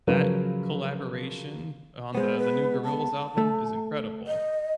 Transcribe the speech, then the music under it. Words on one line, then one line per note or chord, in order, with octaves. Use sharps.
that collaboration on the the new Gorillaz album is incredible.
C#3 F3 F#3 A#4 B4
G#3 B3 C5
B4
A5
A3
D#5